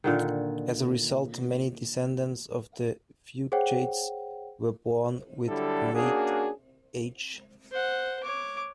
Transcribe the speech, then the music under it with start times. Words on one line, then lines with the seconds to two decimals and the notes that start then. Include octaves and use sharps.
As a result, many descendants of the Fugates were born with met-H.
0.04 A#2 D3 D#3
3.52 G#4 C5 C#5 F#5 G5
5.47 D3 F#3 G3 D4 E4 A4
5.93 A#3 C#4 D4 F#4 G#4
7.71 C5 F#5
8.24 C#5 D6